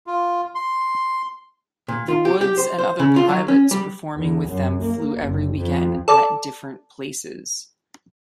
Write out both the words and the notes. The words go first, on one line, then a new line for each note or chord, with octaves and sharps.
The Woods and other pilots performing with them flew every weekend at different places.
F4
C6
A#2
F4
G4
G4
C5
C5
C#3
F4
F#3
C#4
G3
E2
F#2
A#3
F#1
F2
A4 D5